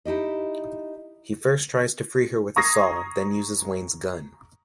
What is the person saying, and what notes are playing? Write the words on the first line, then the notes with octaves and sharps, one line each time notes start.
He first tries to free her with a saw, then uses Wayne's gun.
D#4 E4 G4 D#5
A#5 C#6 D#6 G#6 A#6 C7